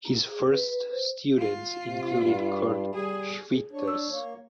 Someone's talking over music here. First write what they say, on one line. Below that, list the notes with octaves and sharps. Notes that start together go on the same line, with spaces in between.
His first students included Kurt Schwitters.
A#5
G#4
B4
C5
F4
C3
G2
G3 G#4
G#4
D4 C#5
E6
A#3 C#5